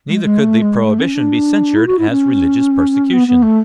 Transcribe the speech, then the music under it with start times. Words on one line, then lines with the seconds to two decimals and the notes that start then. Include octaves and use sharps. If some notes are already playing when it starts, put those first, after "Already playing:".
Neither could the prohibition be censured as religious persecution.
0.09 G#3
0.24 G#3
0.39 A3
0.62 G#3
0.84 A3
1.00 C#4
1.15 D4
1.76 E4
1.87 F#4
1.99 E4
2.10 C#4
3.12 B3
3.27 B3
3.42 A3